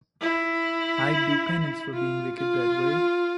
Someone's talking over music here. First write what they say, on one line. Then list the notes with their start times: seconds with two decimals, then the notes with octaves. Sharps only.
I’d do penance for being wicked that way.
0.21 E4
1.93 F4
2.36 F4